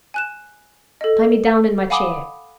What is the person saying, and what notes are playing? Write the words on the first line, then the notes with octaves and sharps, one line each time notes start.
Tie me down in my chair.
G#5 F#6 E7
A4 D#5
F5 F#5 G#5 B5 D6 D#6